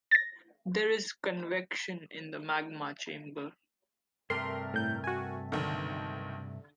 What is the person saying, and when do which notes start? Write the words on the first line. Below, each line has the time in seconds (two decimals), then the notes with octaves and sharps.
There is convection in the magma chamber.
0.11 A6 A#6
4.30 G2 C3 A3 A#4 C6
4.74 A2 G6
5.04 F#4 G#5
5.52 B1 D3 D#3